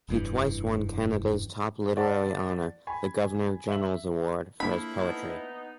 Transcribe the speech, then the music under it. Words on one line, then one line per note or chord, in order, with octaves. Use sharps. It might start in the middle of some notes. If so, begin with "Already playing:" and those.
He twice won Canada's top literary honor, the Governor General's Award, for his poetry.
F1 G2 E3
D5 F#5 A5
G#5 B5
E5 F#7
F3 A3 A#3 D4 E4 B5
B3 D#4